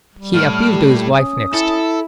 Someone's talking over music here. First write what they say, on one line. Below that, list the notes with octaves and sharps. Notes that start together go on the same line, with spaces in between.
He appealed to his wife next.
G3
A2 F6
G4
C#4 D#6
E4 A4